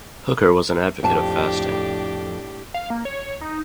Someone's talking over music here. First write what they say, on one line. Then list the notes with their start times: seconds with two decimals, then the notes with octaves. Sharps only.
Hooker was an advocate of fasting.
1.03 F2 A2 D4 G4 A5
2.74 F5
2.90 A#3
3.05 C#5
3.41 D#4